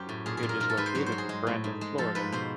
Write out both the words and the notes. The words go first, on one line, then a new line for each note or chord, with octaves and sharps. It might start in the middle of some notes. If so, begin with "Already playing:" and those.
It is located in Brandon, Florida.
Already playing: F#2 G4 C5
A2
A#2 G#4
G#4
A#2
A#4
G#2 A#4
A4
G#2 B4
C5
F#3 C#5
C5
F#3
G#4
G#3
A2
G#2
G#3
F3 A4
G#2 B4
B2 C5